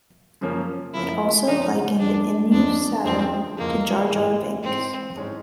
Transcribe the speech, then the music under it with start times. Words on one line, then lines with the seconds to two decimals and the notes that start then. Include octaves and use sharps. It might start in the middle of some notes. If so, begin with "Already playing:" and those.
It also likened Inoue Sato to Jar Jar Binks.
0.41 F#2 C#3 F3 A#3 C#4
0.94 F#2 C#3 F3 A#3 C#4 E4
1.47 F#2 C#3 F3 A#3 C#4 D#4
1.99 E2 C#3 F3 G#3 D4
2.52 E2 C#3 F3 G#3 D4
3.04 E2 C#3 F3 G#3 C4
3.57 E2 C#3 F3 G#3 A#3
4.10 G#2 E3 G#3 C#4
4.62 G#2 E3 G#3 C4 C#4
5.15 G#2 E3 G#3 C#4